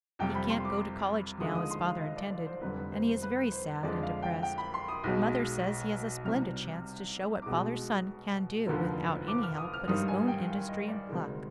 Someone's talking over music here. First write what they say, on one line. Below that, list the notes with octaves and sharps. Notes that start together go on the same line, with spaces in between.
He can't go to college now, as father intended, and he is very sad and depressed; but mother says he has a splendid chance to show what father's son can do without any help but his own industry and pluck.
F2 C3 G3 G5
B5
C6
D6
D#2 D3 F3 G#3 D#6
D#6
C6
F5
D#5
D5
D5
C5
F1 F2 D3 G3 B4
B4
C5
C5
B4
C5
F2 D3 F3 G#3 D5
F5
G5
G5
B5
C6
D#6
B1 B2 G#3
C2 C3 G3 F6
D6
B1 B2 G#3 D#6
F1 D#2 D3 F3
D6
F6
D#6
F6
G#1 G2 D#3 G3 D#6
G#5
G5
F5
D#5
D5
D2 C3 D#3 G#3